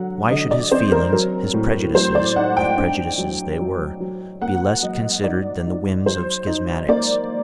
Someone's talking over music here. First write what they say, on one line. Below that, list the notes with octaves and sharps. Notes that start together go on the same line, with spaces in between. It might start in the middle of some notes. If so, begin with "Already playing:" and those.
Why should his feelings, his prejudices, if prejudices they were, be less considered than the whims of schismatics?
Already playing: D3 F#3 F#5
D3 D#5
D5
C4 C5
A#4
F#3 A#4
A2
F#3 C5
D5
D#4 F#5
G5
D4
F#3
F#3
F#3
A#3 F#5
F#3 D#5
D#4 D5
D#4
F#3 C5
D#4
A#3 D5